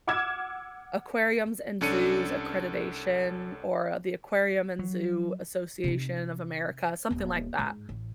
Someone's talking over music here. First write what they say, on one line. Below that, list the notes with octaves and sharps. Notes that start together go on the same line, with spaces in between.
Aquariums and Zoos Accreditation or the Aquarium and Zoo Association of America, something like that,
F#5 D6 E6 F6 G#6 E7
C2 C#4 D4 A4 C#7 D#7
F#3
C3 D#4
D#1 B3
G#2
A1